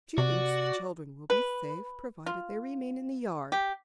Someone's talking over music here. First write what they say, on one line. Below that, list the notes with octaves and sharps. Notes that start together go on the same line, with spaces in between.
She thinks the children will be safe, provided they remain in the yard.
C3 F#4 D5
B4
F4
G4